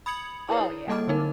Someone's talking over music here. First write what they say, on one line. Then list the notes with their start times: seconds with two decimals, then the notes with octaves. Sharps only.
Oh, yeah.
0.06 B5 D#6 G#6 C#7 F#7
0.49 E4 G#4 A#4 B4 C#5 D5
0.61 E4
0.88 G3 A#3 A4 D#5 D6 F6
1.08 D3 F#3 D#4 A#4